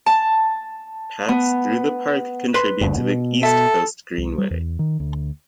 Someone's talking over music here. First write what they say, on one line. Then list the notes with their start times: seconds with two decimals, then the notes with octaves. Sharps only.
Paths through the park contribute to the East Coast Greenway.
0.06 A5
1.29 B3
2.54 B4 C6
2.81 F#1 D2 G2
2.98 B2
3.43 A4 E5
4.18 C2
4.38 G3
4.51 E2
4.79 D#3
5.00 D2